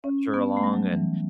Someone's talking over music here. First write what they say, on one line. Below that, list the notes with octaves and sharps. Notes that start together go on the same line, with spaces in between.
coach her along and
C#4
B3
A3
G3
F#3
E3